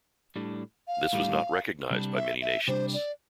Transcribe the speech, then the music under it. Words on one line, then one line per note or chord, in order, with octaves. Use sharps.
This was not recognized by many nations.
A2 G3 D4
F5
A2 G3 D4
C3 G3 D4
E5
E5
C3 G3 D4 C5
D5